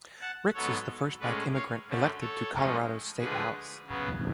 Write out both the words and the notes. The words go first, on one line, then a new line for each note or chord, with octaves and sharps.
Ricks is the first Black immigrant elected to Colorado’s Statehouse.
F#5 A5
G#2 F#3 B3 A4 C#5
A2 G#3 C#4 B4 D5
C#5 F5
F#2 D3 F#3 A3
A4 C#5
A2 F3 G#3 C#4
D2 D3 F3 G#3 G#4 B4
C#3 F#3 B3